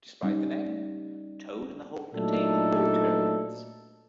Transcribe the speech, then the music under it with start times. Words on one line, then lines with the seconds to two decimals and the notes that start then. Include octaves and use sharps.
Despite the name, toad in the hole contains no toads.
0.23 G3 C#4 D#4
2.14 A#2 F#3 A3 D4 D#4 A4